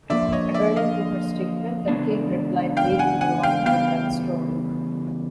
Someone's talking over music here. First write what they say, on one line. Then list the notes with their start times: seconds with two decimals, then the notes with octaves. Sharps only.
According to her statement, the King replied Leave me alone with that story.
0.10 D3 F3 A#3 D5 E5
0.32 C#5 D#5
0.54 D5 E5
0.76 D#5 F5
1.88 C#3 E3 G#3 B3 D4
2.77 F5 G5
2.99 F#5 G#5
3.21 F#5 G#5
3.43 F5 G5
3.66 C#3 E3 G3 B3 F5 G5